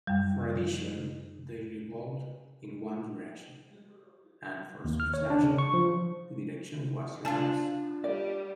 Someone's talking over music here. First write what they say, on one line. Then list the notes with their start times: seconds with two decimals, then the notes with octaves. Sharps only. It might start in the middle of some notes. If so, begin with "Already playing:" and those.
For addition they revolved in one direction, and for subtraction the direction was reversed.
0.07 F#2 G3
4.85 D#2
5.00 F6
5.14 C#5
5.30 D4
5.43 C#3
5.58 C#6
5.74 F3
7.25 D4 F4 G#5 A5
8.04 G3 G4 D5